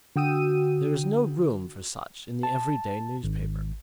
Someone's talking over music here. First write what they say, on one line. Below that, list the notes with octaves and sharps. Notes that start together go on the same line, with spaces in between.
There is no room for such in the everyday newspaper.
D3 F#4 G5 D#6 E6 D#7
A5
G#1